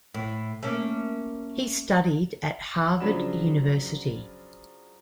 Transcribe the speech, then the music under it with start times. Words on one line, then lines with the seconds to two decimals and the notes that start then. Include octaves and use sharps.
He studied at Harvard University.
0.14 A2
0.63 A3 A#3 C#4
3.00 C#3 F3 F#3 D4 B5 E7